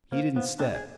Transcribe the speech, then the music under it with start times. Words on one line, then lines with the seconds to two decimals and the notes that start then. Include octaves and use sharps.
He didn't step.
0.12 F3 A#3
0.36 F3 B3
0.59 G3 C4 D4
0.75 G#4